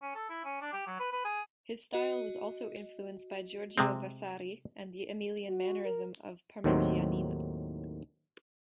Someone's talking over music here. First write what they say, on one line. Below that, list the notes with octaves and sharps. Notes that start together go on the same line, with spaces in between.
His style was also influenced by Giorgio Vasari and the Emilian mannerism of Parmigianino.
C#4
A4
E4
C#4
D4
G4
F#3
B4
B4
G#4
F#4 D#5
C3 G#3 C4
F#4
A#4
D#2 A2 D#3 F#3 C4